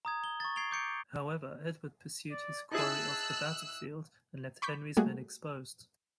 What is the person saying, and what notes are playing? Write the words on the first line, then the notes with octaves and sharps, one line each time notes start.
However Edward pursued his quarry off the battlefield and left Henry's men exposed.
A#5 D#6 G#6
G7
C#6 A6
G#6 C7 D7 F7 G7
D6 G6 C#7 D7
D5
D#4 E4 G#4 A5 E6 F#6
B5 C#6 D6 G6 B6
G3 A3 A#3 F#4 G#4